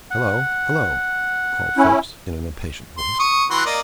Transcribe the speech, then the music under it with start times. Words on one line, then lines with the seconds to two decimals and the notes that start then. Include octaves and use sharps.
"Hello, hello!" called Phipps in an impatient voice.
0.10 F#5
1.77 C#4 E4
2.98 C6
3.20 C#6 D#6
3.50 E3 F#4 C6
3.66 A#3 D5 D#5